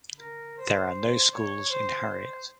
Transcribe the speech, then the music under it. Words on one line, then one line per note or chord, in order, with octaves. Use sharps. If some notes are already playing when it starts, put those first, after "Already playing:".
There are no schools in Harriet.
A#4
C5
C#5
C5
C5